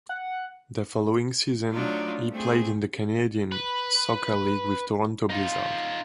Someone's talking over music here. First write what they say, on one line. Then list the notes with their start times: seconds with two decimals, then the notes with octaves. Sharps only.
The following season he played in the Canadian Soccer League with Toronto Blizzard.
0.09 F#5
1.73 F#3 A3 D4 D#4 F4
2.32 A3 C4 G#4
3.52 B4
5.30 D#4 F4